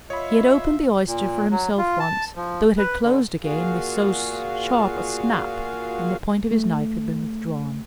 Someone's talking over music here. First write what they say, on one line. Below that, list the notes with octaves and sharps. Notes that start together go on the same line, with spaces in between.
He had opened the oyster for himself once, though it had closed again with so sharp a snap when the point of his knife had been withdrawn.
F4 C#5 D#5 E5 B5
A#2
F#3
F4
A5
F3
B4
D3
A#2 F4 F#4 G#4 F5
A3